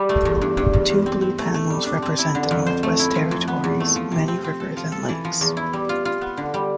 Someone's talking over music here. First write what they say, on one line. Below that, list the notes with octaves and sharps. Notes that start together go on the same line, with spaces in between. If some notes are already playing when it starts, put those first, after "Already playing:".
Two blue panels represent the Northwest Territories' many rivers and lakes.
Already playing: G3
A3
E2
G2
G2
E2
E2
C4
C4
A3
A3
G3
D4
C4
E4
D3
F2
C5
A3
E4
F3
F2
B3
E2
A3
F3
C3
C4
C4
A4
F3
A4
E3
F3
E2
E4
G3
F4
F4
B3
D3
G3